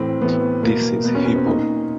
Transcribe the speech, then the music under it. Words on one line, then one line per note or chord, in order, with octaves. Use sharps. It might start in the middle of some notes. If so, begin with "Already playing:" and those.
This is hip-hop!
Already playing: A2 E3 C4
A2 E3 B3
B2 A#3
B2 B3
C#4
C#4
C4
A#2 D#4